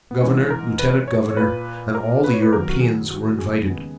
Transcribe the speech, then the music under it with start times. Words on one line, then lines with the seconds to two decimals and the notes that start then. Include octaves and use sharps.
The Governor, Lieutenant-Governor, and all the Europeans were invited.
0.11 B3
0.21 G#2 E3 G#3 B3 C#4
0.50 A#4
0.79 B4
1.08 C#5
1.30 C#5
1.37 A#2 A#3 B4
1.95 A#4
2.24 B4
2.34 C#5
2.42 B4
2.52 D#2 D#3 F#3 B3 A#4
2.69 F#4
2.81 G#4
3.10 F#4
3.33 F#4
3.39 G#4
3.68 D#2 C#3 G#3 B3